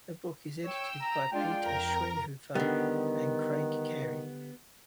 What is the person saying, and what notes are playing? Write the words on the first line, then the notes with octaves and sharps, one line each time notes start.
The book is edited by Peter Schweighofer and Craig Carey.
C#5 G5 E6
A#5
G#3 D4 F4 G5
F2 A#4 A#5
D3 D#3 G3 B3